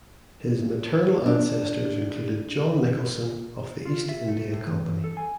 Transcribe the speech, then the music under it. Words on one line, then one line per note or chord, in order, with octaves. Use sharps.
His maternal ancestors included John Nicholson of the East India Company.
D4
F4
E5
A3
A2
E3
A4
G#5